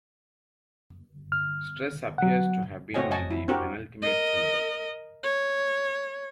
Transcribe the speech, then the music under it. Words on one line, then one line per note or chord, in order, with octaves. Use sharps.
Stress appears to have been on the penultimate syllable.
F6
F#3 F#5
A3 C4 F#4 C#5 D#5 G#5
D#5 F#5 G#5 A5
E4
C4 D4 F#4 G4 A#4
A#4 D#5
C#5